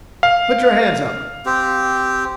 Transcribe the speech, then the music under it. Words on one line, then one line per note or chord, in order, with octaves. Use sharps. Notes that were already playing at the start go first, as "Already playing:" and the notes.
"Put your hands up!"
F5
C4 G4